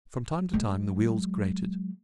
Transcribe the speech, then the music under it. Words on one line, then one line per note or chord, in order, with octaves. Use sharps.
From time to time the wheels grated.
F#3 G#3